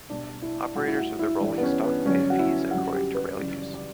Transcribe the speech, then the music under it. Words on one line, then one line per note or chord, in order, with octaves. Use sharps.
Operators of the rolling stock pay fees according to rail use.
B2 G3 D4
E4
A2 G3 F#4
E4
F#4
E4
G2 E3 G3 D4
B3
C#4
B3
G2 D3 F#3 C#4
F#4
E4
F#2 D3 G3 F#4
G4
B4
F#2 C#3 E3 G3 D5
D5
D5